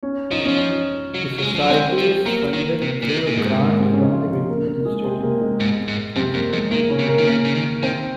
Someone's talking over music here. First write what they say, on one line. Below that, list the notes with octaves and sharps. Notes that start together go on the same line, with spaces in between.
The Society is funded through a grant from the Whitman Institute in San Francisco.
C#4 C#5
F3 D#4 D#5
D#3
F3 C#4 C#5
F#3
F#3
G#3
F3
F#3
G#3 C4 C5
F3
F#3 A#3 A#4
D#3
C3
A#2
C3
A#2
G#2 G#3 G#4
A#3
A#3
C3 C4
C#3 C#4
D#4
F3 F4
A#3 A#4
A#3 A#4
G#3 G#4
C3 C4
A#3
G#3
G#2
G#2
F#2 C3 C4
F#2 A#3
F2 G#3
D#3 A#3
C#3 C#4
C3
A#3 A#4
D#3
C#3 A#3 A#4
C#3
D#3
D#3 C4 C5